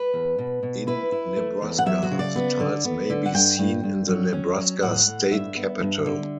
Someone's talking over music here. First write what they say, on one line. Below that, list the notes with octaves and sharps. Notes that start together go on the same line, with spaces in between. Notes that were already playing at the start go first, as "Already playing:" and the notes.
In Nebraska, the tiles may be seen in the Nebraska State Capitol.
Already playing: B4
E2
B2
B2
E4 B4
E4
A3
E2
F#5
F#3 E5
F#4
C#3
D5
B3
D3
B3
D3
F#5
G2 G5
G2
G2
F#3
C#4
F#3
A2 F#5
A2
G2 E5
B3
G2
D3